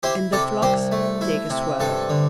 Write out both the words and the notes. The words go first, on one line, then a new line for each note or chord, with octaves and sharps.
And the flocks take a swerve.
E4 G4 C5
C3 A4 D5
C2 G4 C5
A3
E4
C3
G2 A4
D3